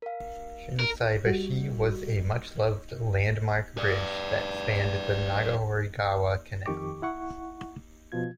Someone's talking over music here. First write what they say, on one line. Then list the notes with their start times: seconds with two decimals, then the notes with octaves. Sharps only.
Shinsaibashi was a much loved, landmark bridge that spanned the Nagahori-gawa canal.
0.02 A#4 F5
0.79 A#4
1.26 G3 F#4
3.78 B4 D5
6.66 F2 D#3 G4 C#6 D6
7.02 E4 F#5 C#6
8.12 B2 F3 F4 G#6